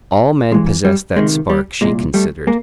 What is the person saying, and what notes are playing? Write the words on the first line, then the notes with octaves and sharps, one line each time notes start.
All men possessed that spark, she considered....
G2 E3 G#3
G3
C#2 C3 D#3 G#3
G3
C2 A#2 G#3
G3 A3
G#3 A#3